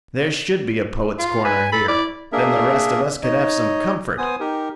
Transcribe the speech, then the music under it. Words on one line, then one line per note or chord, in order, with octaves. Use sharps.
There should be a Poets' Corner here. Then the rest of us could have some comfort.
F4
B4 G#5
A4 B5
E4 D5
A#3 D4 G#4 A#4 E5
D#4 C#5 D#5
B3 C5 G#5 D#6
D#4 G4 A#4